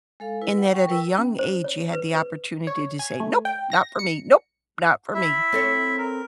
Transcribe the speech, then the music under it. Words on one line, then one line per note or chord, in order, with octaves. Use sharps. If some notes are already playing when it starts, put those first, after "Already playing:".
in that at a young age, you had the opportunity to say, "Nope, not for me, nope, not for me."
G#3 A4 F5
E4 B4
F#5
G5 C#6
A#4 B4 G5 E6
C#4
C5
C#5
B4
B4
C#5
G#5
A3
G5
A#6
C#7
E4 E5
C4 A4 C#5
A#4